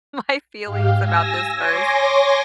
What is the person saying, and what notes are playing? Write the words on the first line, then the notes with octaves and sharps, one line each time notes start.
my feelings about this first,"
G#2 G4 F5
G#5 E6 A#6
C#5 G#5 C6 D6 A#6